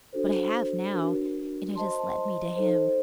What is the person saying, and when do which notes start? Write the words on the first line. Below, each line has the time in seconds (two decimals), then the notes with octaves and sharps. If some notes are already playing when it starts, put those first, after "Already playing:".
But I have now, and it has led me to Him.
0.13 D4 F#4 A4 C5
0.93 D4 F#4 A#4
1.75 C5 D#5 A5 C6
2.56 D#4 A4 C5